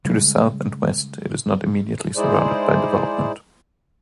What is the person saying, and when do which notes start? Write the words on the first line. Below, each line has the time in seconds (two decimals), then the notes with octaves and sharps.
To the south and west it is not immediately surrounded by development.
0.05 C#3 G3 G#3
2.16 G#3 D#4 E4 G#4 C5 D5